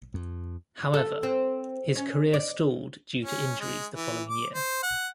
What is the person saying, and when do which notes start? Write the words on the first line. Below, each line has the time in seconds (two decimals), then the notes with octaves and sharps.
However, his career stalled due to injuries the following year.
0.14 F2
0.94 A4
1.23 C4
1.96 C#4
2.34 D5
3.25 C#4
3.60 G#3
3.94 E3
4.29 D6
4.55 C5
4.83 F#5